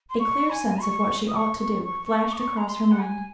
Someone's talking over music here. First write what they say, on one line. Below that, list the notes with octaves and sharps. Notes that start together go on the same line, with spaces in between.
A clear sense of what she ought to do flashed across her mind.
C6
C#6
G#5
C#6
D#6
C#6
C#6
C#6
C#6
D#6
C#6
A#5
C6
F#5
G#5